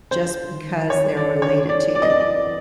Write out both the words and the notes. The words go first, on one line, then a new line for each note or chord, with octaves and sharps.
just because they're related to you.
D3 C5
D#3
C#5
D5
C#5
E3 D5
D5
D#5
D5
D5